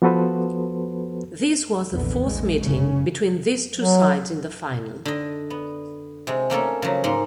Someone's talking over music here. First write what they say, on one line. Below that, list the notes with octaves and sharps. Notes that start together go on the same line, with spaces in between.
This was the fourth meeting between these two sides in the final.
F3 B3 F#4 A4 B4 C5
F1 A#1 E2 D3 B3
A#1 D3 G#3
F#1 C#3 C#4
F#3
D3 D#5
B3
C3 G#3
A3 A#3 C#4 A4
C#3 F3 F#3
G#2 G#3 A#3 C6